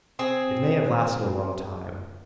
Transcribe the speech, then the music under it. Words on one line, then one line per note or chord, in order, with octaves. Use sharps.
It may have lasted a long time.
C4 G#4